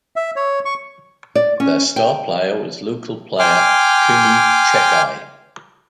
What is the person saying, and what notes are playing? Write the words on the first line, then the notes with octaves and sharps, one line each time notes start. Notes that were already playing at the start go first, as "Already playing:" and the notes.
Their star player was local player, Cooney Checkeye.
E5
C#5
C#6
D5
C#4
G5
G5 G#5 C6 D6 F6